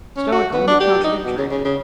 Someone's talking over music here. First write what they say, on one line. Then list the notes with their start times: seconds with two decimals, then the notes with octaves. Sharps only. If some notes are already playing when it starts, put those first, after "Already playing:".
Stoical, but contradictory.
0.17 C#4
0.32 F#4
0.53 B3
0.67 D4
0.80 G4
1.04 D#4
1.24 B2
1.38 C#3
1.51 C#3
1.65 C#3